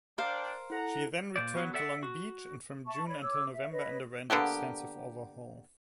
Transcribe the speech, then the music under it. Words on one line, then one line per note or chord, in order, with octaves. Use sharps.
She then returned to Long Beach and from June until November underwent extensive overhaul.
D4 A#4 C5 F5 G5
E4 A4 F#5 A#5
A#2 C5 D5
F#3 B3 F#4
A4 D5 E5 F#5
F#4
E5 A5 C#6
C#5 D5 B5
C#5 D6 E6
E5
B4 C#5 D#5
D3 A#3 B3 G4